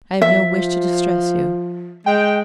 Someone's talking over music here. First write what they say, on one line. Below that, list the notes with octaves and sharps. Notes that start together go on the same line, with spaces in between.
I have no wish to distress you.
F3 E5
G#3 G5